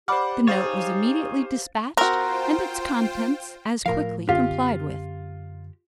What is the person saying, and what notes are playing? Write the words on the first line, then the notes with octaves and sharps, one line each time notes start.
The note was immediately dispatched, and its contents as quickly complied with.
G4 C5 D5 F#5 B5 D6 F6
D#4 G#4 C5 C#5 F5 A6
C4 F4 F#4 A#4 C5 G5
A2 F3 A#4 F5
F#2 D3 C4 F4 G4